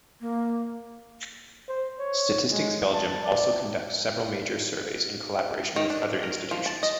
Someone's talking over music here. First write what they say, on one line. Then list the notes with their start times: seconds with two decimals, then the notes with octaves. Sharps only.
Statistics Belgium also conducts several major surveys in collaboration with other institutions.
0.21 A#3
1.68 C5
1.99 C#5
2.51 G#3
2.93 A5
3.24 D5
5.76 D#3
5.90 D4
6.23 A#4
6.51 F3
6.66 A5
6.83 D#5